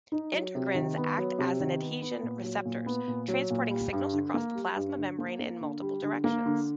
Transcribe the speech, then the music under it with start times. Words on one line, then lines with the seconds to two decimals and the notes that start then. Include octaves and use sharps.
Integrins act as adhesion receptors, transporting signals across the plasma membrane in multiple directions.
0.12 D#4
0.33 F#3
0.55 C3
0.75 D#3
0.97 B3
1.18 F#3
1.39 C3
1.60 D#3
1.81 B3
2.02 B3
2.23 A#2
2.44 F#3
2.65 A#2
2.86 B3
3.08 A#2
3.28 F#3
3.50 A#2
3.70 G3
3.93 G2
4.13 D3
4.34 A#3
4.55 G3
4.76 G2
4.98 D3
5.19 A#3
5.40 A#3
5.61 D3
5.82 G3
6.03 D3
6.24 A#3
6.46 D3